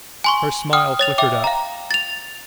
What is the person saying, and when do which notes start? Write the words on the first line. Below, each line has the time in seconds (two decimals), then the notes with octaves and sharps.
Her smile flickered up.
0.24 G#5 C6 C#6
0.73 G5 D#6 F6
0.99 C#5 A6 F7
1.18 E5 G5 D6
1.44 F5 A#5
1.91 A6 F7